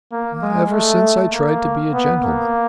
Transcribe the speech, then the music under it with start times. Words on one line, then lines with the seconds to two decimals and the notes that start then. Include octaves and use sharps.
"Ever since I tried to be a gentleman."
0.12 A#3
0.42 G#3
0.72 A3
1.33 A#3
1.93 B3
2.23 A#3